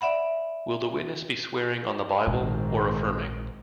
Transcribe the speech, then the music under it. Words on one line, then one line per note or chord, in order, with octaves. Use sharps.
Will the witness be swearing on the Bible, or affirming?
D5 E5 F#5 B5
A#1 G#2 D#3 C4